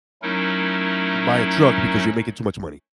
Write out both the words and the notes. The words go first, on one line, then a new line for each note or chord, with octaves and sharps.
buy a truck because you're making too much money."
F#3 A3 C#4 D#4 E4 A#4